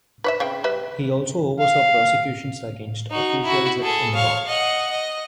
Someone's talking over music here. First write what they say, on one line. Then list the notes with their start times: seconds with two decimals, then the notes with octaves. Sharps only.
He also oversaw prosecutions against officials at Enron.
0.24 B4 C#5 E5
0.40 C#3 C4 G5
0.64 G3 B4 E5
1.60 F5
3.11 D#4 F#4
3.44 E4 F#4
3.83 G#4 A4
4.15 C#5 F5
4.47 D#5 F#5
4.90 D#5